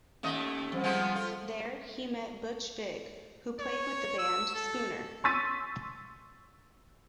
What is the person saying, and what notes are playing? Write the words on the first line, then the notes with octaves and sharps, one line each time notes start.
There, he met Butch Vig, who played with the band Spooner.
D#2 A3 C#4 D#5
F2 G3 C5 F#5
F3 G#3 B3
F4 A4
C#5
E6
A4
C6 C#6 E6 A6 B6 D#7